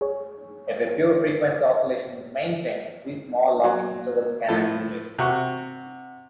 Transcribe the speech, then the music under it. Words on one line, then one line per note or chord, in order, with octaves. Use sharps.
If a pure frequency oscillation is maintained, these small lock-in intervals can accumulate.
G#4 C#5
F#3
A2 F3 A4
C3 F#4 C#6